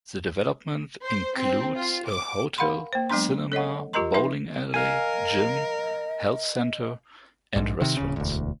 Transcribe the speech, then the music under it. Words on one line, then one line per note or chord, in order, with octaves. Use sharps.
The development includes a hotel, cinema, bowling alley, gym, health centre and restaurants.
C5
C4
F4
D6
A#4 F5 F#5 B5 C6
A#3 C5
F#3 G#3 B3 D4 C6
A4 C#5 D#5 F#5
F4 G4 A#4 D#5 A#5 C6
F3 D#4 B4 E5 C6
A#4 D#5 F5 G#5
A#1 G#2
C3 D#3
D1 C#3
E1 D2